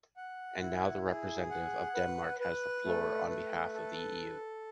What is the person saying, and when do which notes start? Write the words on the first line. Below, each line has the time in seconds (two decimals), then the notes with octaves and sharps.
And now the representative of Denmark has the floor on behalf of the EU.
0.16 F#5
0.61 E4
1.06 G#4
1.51 F#5
1.95 B4
2.40 B4
2.85 A3
3.29 B4
3.74 A4